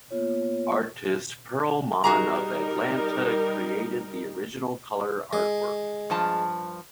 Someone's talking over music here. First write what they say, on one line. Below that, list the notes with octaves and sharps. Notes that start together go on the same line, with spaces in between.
Artist Pearl Mann of Atlanta created the original color artwork.
A#3 B3 F4 C#5
G3 D#4 F#4 G#4 A#4 A#5
G#3
G2 F3 A5